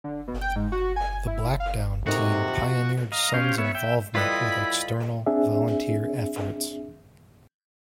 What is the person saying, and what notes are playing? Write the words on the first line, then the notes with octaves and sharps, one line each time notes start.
The Blackdown team pioneered Sun's involvement with external, volunteer efforts.
D3
B2
G5
G#2
F#4
G#5
E4
F5
A2 C3 A#3 D#4 F#4
F3
D#5 F5 A#5
C#4 G4 C5 F5
B3 C#5 E5
E5 G5
G3 E4 F4 A4 B4 D#5 B5
C4 D4 G#4 E5